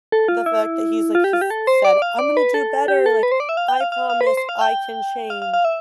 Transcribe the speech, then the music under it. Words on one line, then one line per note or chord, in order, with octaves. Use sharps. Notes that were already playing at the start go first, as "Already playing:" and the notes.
the fact that he's, like" he's said, "I'm gonna do better. Like, I promise I can change."
A4
F4
E4
F4
G4
F4
G4
A4
C5
D5
F5
D5
B4
A4
G4
A4
B4
C5
D5
E5
F5
G5
F5
F5
F5
B4
C5
C5
F5
G5
F5
F5
F5
E5